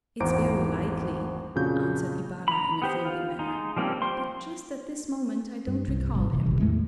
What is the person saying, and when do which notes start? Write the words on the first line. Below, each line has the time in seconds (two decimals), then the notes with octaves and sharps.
"It's very likely," answered Ibarra in a friendly manner, "but just at this moment I don't recall him."
0.20 G#1 E2 C5 A#5 D6 D7
1.55 F2 A#2 C#3 F#4 G6
2.48 A#5 B5
2.82 B3 G4 C5
3.05 F4
3.39 G#3 D#4
3.77 F3 G3 A#3 C4 C#4
4.02 F3 C5 G5 C6
5.67 G2
5.88 C2
6.15 G#1 G3
6.32 F1 C3 D#3 E3
6.46 A#1 D#2
6.59 E2 A2 G#3 A3